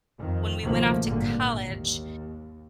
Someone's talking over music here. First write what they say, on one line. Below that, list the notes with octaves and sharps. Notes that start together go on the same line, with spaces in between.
when we went off to college,
F2 D#3
C#2 B2 D#3 F3 A3 A#3
G#1 G2 A#2 D3 A#3
D#2